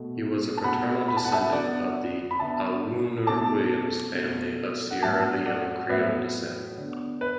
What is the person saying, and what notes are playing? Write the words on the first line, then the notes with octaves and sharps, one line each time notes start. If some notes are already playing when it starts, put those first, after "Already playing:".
He was a paternal descendant of the Awoonor-Williams family of Sierra Leone Creole descent.
Already playing: B2 A3
A5
B2 A3 F#5 B5
B5
A5
F#5
E5 A5
D3 B3 D5 F#5
B5
D3 B3 E5 A5
B2 A3 A5 D6
B2 A3
F#5
A2 F#3 B3 E5 A5
D5 F#5
A2 F#3 B3 B4 E5
D3 B3
B4